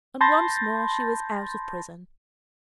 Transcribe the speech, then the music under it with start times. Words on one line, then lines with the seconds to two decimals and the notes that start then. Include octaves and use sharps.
And once more she was out of prison.
0.21 A5 B5 C6 G6 A6 A#6